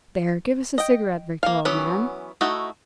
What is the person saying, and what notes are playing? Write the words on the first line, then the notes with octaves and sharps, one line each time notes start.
There, give us a cigarette, Victor, old man.
D#5 G5
A#3 F5
E3 F#3 B3 C#4
A3 D#4 E4 F#4